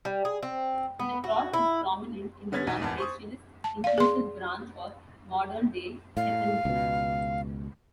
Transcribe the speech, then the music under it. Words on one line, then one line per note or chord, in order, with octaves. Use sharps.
The Troth is prominent in the non-racialist, inclusive branch of modern-day heathenry.
G3
G#4
C4
B3
F#4
E4
D3 B3 C#4 G#6 A6 B6
B1 E2 D#4 F#4
G#1 E2 A5
C5 C#6 D#6
A5
D5 F5
G#4 C6
A2 F5
C#2 B2